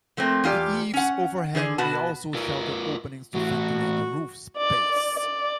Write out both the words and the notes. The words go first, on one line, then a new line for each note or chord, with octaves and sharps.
The eaves overhang may also shelter openings to ventilate the roof space.
F3 A3 A#3 C4
E2 F4 G4 D5
C#4 F#5
D3 G#4 C5 D5
B2 B3 F#4 A5
F4 A#4 B4
E3 A3 F#4
D5
D5